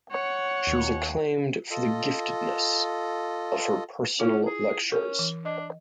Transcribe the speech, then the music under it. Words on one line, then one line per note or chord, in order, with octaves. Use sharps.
She was acclaimed for the giftedness of her personal lectures.
C#5 F#5
D#2
F4 A4 D#5
C#4 E4 F4
G#4
C#4 A#4
E3
D4 D#5